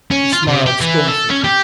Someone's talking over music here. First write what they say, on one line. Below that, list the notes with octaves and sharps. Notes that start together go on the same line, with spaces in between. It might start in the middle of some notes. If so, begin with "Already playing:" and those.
She smiled scornfully.
C#4
F4
C3
G4
E3
A4
C#4
G4